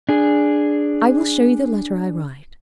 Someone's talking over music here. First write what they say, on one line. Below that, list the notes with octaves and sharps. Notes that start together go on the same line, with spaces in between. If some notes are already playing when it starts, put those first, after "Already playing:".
"I will show you the letter I write."
D4 G#4